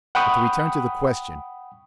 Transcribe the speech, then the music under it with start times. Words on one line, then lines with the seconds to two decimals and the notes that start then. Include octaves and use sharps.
But to return to the question.
0.15 F#5 G5 B5 C#6 D#6